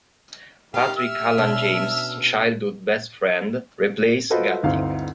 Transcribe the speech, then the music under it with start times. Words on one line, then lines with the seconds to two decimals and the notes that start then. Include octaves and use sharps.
Patrick Hallahan, James' childhood best friend, replaced Guetig.
0.74 D#3 G3 G4 F5
0.97 E5 E6 F6
1.38 B2 C#4 D4
4.30 F4 F#4 A4 B4 C5 D#5
4.63 G1 D2 C4 D#4 E4 F5